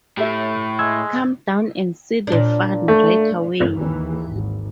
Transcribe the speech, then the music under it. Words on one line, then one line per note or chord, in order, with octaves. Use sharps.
Come down and see the fun right away!
A2 G4 A4 E5
G#3 E6 G#6
A#2 D4
A3
D#2 E3
G#1